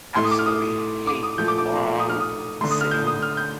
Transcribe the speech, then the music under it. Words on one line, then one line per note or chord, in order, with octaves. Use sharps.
absolutely hate long, sitting
A2 A3 C6
D#6
D6
F6
D#6
D6
D#6
A#2 F3 A3 G6
D6
D6
D#6
F6
D#6
D3 A3 C6
D#6
F6
G6
D#6
F6
G6